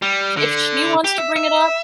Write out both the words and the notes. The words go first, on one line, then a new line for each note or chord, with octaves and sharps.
If she wants to bring it up,
G3
D3
G4
E5
E5